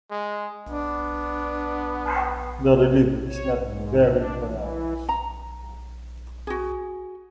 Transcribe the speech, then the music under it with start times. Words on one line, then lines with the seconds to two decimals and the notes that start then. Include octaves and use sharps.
The relief is not very pronounced.
0.11 G#3
0.67 B3 D4
2.93 A2
3.26 C#5
3.55 G#2
4.07 D4
4.41 E3
5.09 A#5
6.47 F#4 G#4